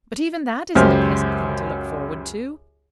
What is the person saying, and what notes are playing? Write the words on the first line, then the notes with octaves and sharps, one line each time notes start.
But even that isn't a pleasant thing to look forward to.
C#2 F#2 G4 C5 F6